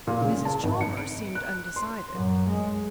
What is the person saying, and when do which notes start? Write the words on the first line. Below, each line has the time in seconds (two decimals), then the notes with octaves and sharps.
Mrs. Chalmers seemed undecided.
0.07 A#2
0.21 C#3
0.45 A5
0.63 G#1
0.81 C#7
0.97 D7
1.35 F#6
1.76 C6
2.15 F#2
2.51 G#3